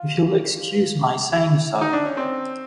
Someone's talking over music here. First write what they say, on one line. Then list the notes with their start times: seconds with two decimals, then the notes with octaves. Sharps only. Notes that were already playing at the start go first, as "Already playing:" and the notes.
If you’ll excuse my saying so.
Already playing: F4
1.33 E4
1.81 D#4
1.93 D4
2.05 C#4
2.17 C4